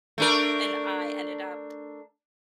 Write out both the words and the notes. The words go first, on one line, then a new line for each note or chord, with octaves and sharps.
and I ended up
A3 D4 A#4